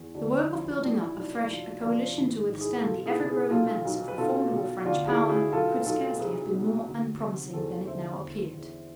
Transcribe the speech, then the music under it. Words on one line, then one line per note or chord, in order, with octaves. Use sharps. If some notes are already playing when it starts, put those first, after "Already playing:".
The work of building up afresh a coalition to withstand the ever-growing menace of the formidable French power could scarcely have been more unpromising than it now appeared.
Already playing: E2
D2 D4
F3 E4
B1 D4
E4
B1 D4
E4
F1 D4 F4
F1 D4 F4
G#1 E4
G#2
E4 G#4
C3 F4 A4
E4 G#4
C3
G#4 B4
B1 F4 A4
B1
B4
B2 F4 A4
B2
D2 D4 F4
E4 G#4
D2
E4 G#4
B1 F4 A4
B1 F4 A4
C2 G#4 B4
B2
D2
C3
E2 A4 C5
D3 C5 E5
E2
E2